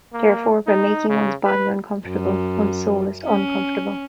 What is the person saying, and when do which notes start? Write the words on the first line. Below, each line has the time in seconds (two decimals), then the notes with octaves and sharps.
Therefore, by making one's body uncomfortable, one's soul is uncomfortable.
0.13 A#3
0.67 D#4
1.09 C#3
1.46 B4
2.08 F#2
3.25 C#4